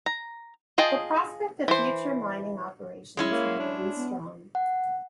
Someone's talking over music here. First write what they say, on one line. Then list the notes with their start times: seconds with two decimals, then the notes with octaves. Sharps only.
The prospect of future mining operations remains strong.
0.06 A#5
0.78 F4 G#4 D#5 G5 A5
1.68 E3 C5
3.17 G#3 C#4 E4
3.32 A#3 C#5
3.59 D4
3.78 F#4
3.96 B3
4.55 F#5